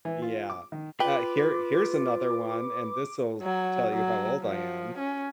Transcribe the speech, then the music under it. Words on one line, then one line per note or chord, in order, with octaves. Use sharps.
Yeah, uh, here here's another one, and this’ll tell you how old I am.
E3
F4
D6
D#3
F4 B4 G5 D6
F#3
F#3
F3
C#4